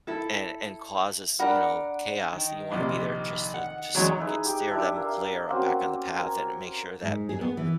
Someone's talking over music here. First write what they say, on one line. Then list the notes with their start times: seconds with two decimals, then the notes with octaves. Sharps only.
and and causes, you know, chaos, you wanna be there just to, just get steer them clear back on the path and make sure that, you know,
0.07 E4 A4
1.39 D4 A#4 F#5 B5
2.32 D#3
2.72 A#1 C3
3.54 F#5
3.95 E2 C#3 F#3 G#3 C#5
4.17 D#4 E4 G#4 B4
4.45 G4
4.69 D4 E4 E5
4.96 A#4 F5
5.49 A#3 C4 C#4 F#4
6.18 A#4 G#5
7.02 G#2
7.29 G#4
7.41 B3
7.57 E3